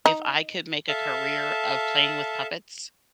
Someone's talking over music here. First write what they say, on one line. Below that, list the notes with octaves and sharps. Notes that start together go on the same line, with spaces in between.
if I could make a career of playing with puppets,
D#4
A4 E5 F5 A5